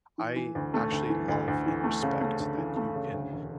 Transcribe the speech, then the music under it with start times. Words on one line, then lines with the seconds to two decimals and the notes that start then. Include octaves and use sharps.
I actually love and respect that you can
0.18 E3
0.36 E3
0.55 D2
0.74 A3
0.92 D2
1.10 E3
1.28 D2
1.48 D2
1.66 E3
1.84 A3
2.02 C#3
2.21 A3
2.39 D2
2.58 E3
2.76 A3
2.95 C#3
3.13 D2
3.32 E1